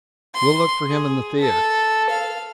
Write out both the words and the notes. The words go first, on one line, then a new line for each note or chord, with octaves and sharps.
We'll look for him in the theater.
C6
G#4
A4
F5